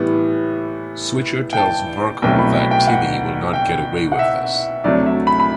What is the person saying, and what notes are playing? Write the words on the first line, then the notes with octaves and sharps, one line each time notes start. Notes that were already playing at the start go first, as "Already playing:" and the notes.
Switcher tells Marco that Timmy will not get away with this.
Already playing: A2 E3 G3 B3
G5
A5
C2 B2 F#3 A3 G5
B5
G5
G5
F#5
G5
F#5
E5
D2 C3 F#3 A3 D5
E5
B5
B5